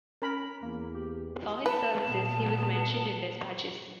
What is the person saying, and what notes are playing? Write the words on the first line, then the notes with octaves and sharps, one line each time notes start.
For his services he was mentioned in despatches.
C#4 A#4 B5
E2 A#3
G4
B4 A5
A#2 B3